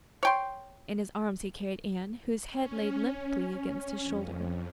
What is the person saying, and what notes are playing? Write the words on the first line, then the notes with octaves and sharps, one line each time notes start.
In his arms he carried Anne, whose head lay limply against his shoulder.
C#5 G5 C6
C#4
F2